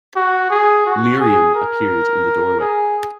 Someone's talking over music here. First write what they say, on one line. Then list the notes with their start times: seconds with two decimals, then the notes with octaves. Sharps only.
Miriam appeared in the doorway.
0.16 F#4
0.50 G#4
0.86 F#4
1.20 G#4
1.55 A#4
2.60 G#4